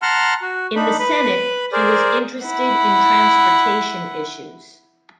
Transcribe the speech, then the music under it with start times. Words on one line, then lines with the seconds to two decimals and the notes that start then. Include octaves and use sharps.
In the Senate, he was interested in transportation issues.
0.02 F#5 A5 A#5 C6 F6
0.42 F#4
0.76 D4 D#4 B5
0.99 B4 B5
1.72 G#4 A#4 C5 D5
2.45 E4 F#5